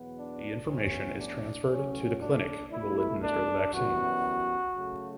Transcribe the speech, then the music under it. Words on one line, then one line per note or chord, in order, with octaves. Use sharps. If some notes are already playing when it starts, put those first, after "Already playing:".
The information is transferred to the clinic who will administer the vaccine.
Already playing: E2 B2 F#3 B3
D4
A2 E3 G3 B3 C#4
D4
A2 F#3 A3 C#4
D4
B2 A3 E4
D4
F#2 E3 G3 B3 F#4
C#3 F#3 A3